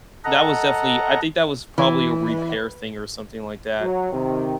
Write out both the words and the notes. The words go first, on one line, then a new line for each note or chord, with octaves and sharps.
that was definitely I think that was probably a repair thing or something like that
A4 D#5 F#5 A#5
E3
F#3
C3 D#3